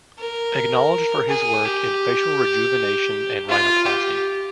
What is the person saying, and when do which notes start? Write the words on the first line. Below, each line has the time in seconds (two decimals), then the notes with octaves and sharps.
Acknowledged for his work in facial rejuvenation and rhinoplasty.
0.19 A#4
1.29 G#4
1.65 G4
3.49 F4
3.86 G4